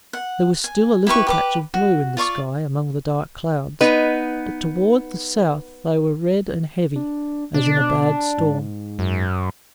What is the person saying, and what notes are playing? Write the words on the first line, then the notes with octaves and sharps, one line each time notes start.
There was still a little patch of blue in the sky among the dark clouds, but toward the south they were red and heavy, as in a bad storm.
F#5
G#5
E4 G4 B4 C#6
G4 B4 D6
F#4
F4 D5 C#6 D6
B3 D#4 B4
D4
B2 D4
G#2
F#2